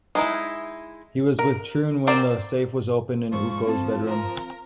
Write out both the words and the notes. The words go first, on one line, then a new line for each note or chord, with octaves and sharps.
He was with Troon when the safe was opened in Ouko's bedroom.
G#3 D#4 E4
A#4
C4 A#4 C5 D5
G#2 F3 G#3 C5 C#6
C4 F4 A5
A#4